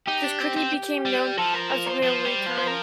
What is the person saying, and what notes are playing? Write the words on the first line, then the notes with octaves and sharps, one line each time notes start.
This quickly became known as Railway Time.
D#4 G4
D4
C4
C4
G3
F3 A4
A#4
A#4
C5
F3
G3
F3
C5
A#4